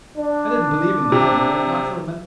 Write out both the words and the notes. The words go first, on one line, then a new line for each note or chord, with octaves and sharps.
I didn't believe in the thunderbolt, not for a minute.
D4
C3